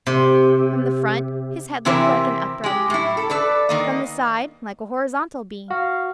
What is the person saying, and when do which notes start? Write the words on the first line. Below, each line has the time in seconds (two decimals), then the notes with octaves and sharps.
From the front his head looked like an upright bean, from the side like a horizontal bean.
0.07 C3
1.85 C3 E3 C4 E4 G4 A#4
2.64 G#3 G4
2.90 A2 E4
3.17 A4
3.30 A4 B4 D5
3.69 D#3 A#3 D#5
5.70 F#4 F5